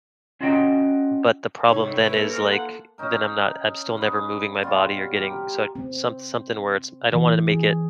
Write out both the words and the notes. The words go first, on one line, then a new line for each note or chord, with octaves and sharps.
but the problem then is, like, then I'm not I'm still never moving my body or getting so some something where it's I don't wanna make it,
C#4 F4 F#4 D#5 G5 A#5
C3 D#4 C#5
A2 D#3
C#4 E4 B4
A#3 A4
G#2 A#4
D#2 F4 F#5
C#4 D#4 A#4
G#4 B4
B2 G3 C4 F4
G4 A#4
C4
E3
G#4